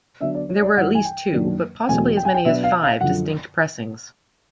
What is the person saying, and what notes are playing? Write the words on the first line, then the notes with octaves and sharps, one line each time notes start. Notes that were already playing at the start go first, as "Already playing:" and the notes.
There were at least two, but possibly as many as five, distinct pressings.
D3 F#3 B3 D4 E5
D5
C#5
D5
G2 E3 G3 F#5
G#5
G5
F#2 D#3 F#3 A#3 D4
E2 B2 F#3 A3 C4 G#5
G5
G#5
G5
B2 F#3 B3 D4 E5
F5
F5
F#2 D3 F3 F#5